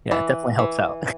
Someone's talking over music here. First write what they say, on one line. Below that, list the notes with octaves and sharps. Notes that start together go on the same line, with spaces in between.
Yeah, it definitely helps out.
E3
E3